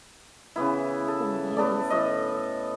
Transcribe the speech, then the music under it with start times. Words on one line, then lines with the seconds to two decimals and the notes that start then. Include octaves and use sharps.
That's amazing.
0.56 C#3 E3 B3 E4
1.08 A4
1.57 A2 B3 A4 D5
1.90 A2 D#5